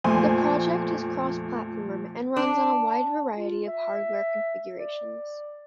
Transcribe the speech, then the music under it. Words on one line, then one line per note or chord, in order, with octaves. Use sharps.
The project is cross-platform, and runs on a wide variety of hardware configurations.
F2 A#2 A3 C5 G#5 C6
D4
F4
E5
D5